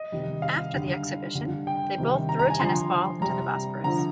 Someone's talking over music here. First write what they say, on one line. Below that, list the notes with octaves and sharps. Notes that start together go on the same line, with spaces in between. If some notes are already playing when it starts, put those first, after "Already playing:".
After the exhibition, they both threw a tennis ball into the Bosporus.
Already playing: D#5
C3 D#3 G3
F5
D3 G3
D3 G3
G5
C3 D#3 G3
A#5
A#5
G#5
D3 F3 C6
C3 G3 A#5
D3 F3 A#5